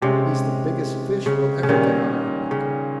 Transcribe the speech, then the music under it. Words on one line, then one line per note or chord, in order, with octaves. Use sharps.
"He's the biggest fish we'll ever get on our hook."
C3 G#3 C#4 G4
C#3
C#3
A#2 D#3 G3 C#4
C#3